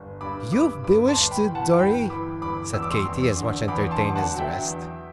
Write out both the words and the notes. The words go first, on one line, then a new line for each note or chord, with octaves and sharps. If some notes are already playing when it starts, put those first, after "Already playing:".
"You've bewitched it, Dorry!" said Katy, as much entertained as the rest.
Already playing: G1
G2 B5 D6
G2 B5 D6
G1 B5 D6
A5 C6
G1
G5 B5
E3
F#5 A5
G1 G5 B5
E3 B5 D6
G1 B5 D6
E2 E6
D6
C6 E6
E2
D3
E2 B5 D6
A5 C6
D3
F#5 A5
F#3
E5 G5
E2